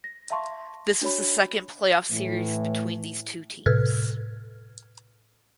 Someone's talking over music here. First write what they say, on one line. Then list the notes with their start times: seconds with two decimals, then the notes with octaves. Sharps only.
This was the second playoff series between these two teams.
0.04 A#6
0.30 E5 F5 A5 C6 C#6
1.01 D4 F#4 C#5 B5
2.11 A2 E3
3.66 A2 C3 A4 B4 F6 G#6